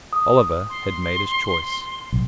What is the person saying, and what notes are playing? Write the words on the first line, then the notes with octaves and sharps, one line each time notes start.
Oliver had made his choice.
D#6
C6
B1